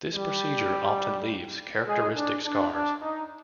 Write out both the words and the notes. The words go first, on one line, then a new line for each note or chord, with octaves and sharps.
This procedure often leaves characteristic scars.
G3 G4
G#3 G#4
D4
D4
D4
D#4